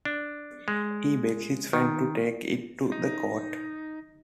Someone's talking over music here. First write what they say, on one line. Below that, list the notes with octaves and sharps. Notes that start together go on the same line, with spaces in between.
He begs his friend to take it to the court.
D4
G#3
D#3
D#4